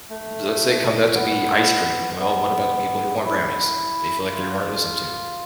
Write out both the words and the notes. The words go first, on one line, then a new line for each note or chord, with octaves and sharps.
Let's say it comes out to be ice cream. Well, what about the people who want brownies? They feel like they weren't listened to.
A3
B3
B3
E4
F4